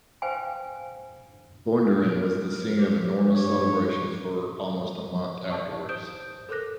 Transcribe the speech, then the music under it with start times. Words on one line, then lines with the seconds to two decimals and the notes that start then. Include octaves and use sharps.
Bundoran was the scene of enormous celebrations for almost a month afterwards.
0.22 B4 C5 F5 G5 G#5
2.02 A#4
2.77 G4
3.27 G2 C#5
5.50 D5 A5 C#6
5.89 C5 D#6 G6 D7 E7
6.49 A4 A#4 C5 D6 F#6 A#6